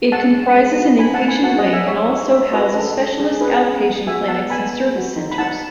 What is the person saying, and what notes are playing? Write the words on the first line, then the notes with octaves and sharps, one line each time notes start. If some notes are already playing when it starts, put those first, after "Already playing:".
It comprises an inpatient wing and also houses specialist outpatient clinics and service centres.
G#3 F#5 A5
G#3
G#3
F#4
D#4 G#5 B5
F#5 A5
A3
G#5 B5
F#4 F#5 A5
D#5 F#5
F#4
E5 G#5
G#3 C#5 E5
D#4
G#3 C#5 E5
F#4 B4 D#5
C#4 A4
C#4
G#3 G#4
C#4 G#4 B4
B3
B3
F#4 E5 G#5
B3 F#5 A5
B3 G#5 B5
B3
F#4
D#4
B5
D#4 F#5 A5